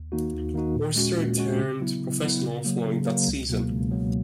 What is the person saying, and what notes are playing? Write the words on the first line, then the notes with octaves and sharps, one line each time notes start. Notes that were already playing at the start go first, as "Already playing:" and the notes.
Orser turned professional following that season.
Already playing: D#2
D#3 A#3 D#4 F#4
D#2
D#3 A#3 D#4 F#4
A#2
G#3 C#4 F#4
A#2
G#3 C#4 F#4
C#3
F#3 B3 E4
C#3
F#3 B3 E4
C#3
F#3 A#3
C#3
F#3 A#3
C#2
B2 F#3 A#3
C#2
B2 F#3 A#3